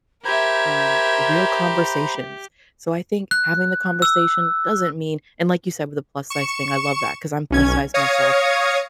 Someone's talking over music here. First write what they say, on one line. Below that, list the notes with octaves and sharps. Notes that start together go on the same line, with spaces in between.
um, real conversations. So, I think having the conversation doesn't mean and like you said with the plus size thing, I love that 'cause I'm plus size myself.
G4 A#4 C5 E5 A#5 B5 G#6
F#6
E6
C#6 C#7 E7
B1 C#4 G#6
C#5 F5 D#6 G#6 A#6 C#7